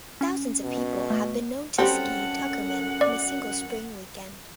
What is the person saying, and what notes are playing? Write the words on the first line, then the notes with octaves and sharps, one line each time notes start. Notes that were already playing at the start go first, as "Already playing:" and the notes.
Thousands of people have been known to ski Tuckerman in a single spring weekend.
C#4
B2
A3
F#2 G3 C4 C#4 F#4 A4 F#5
D5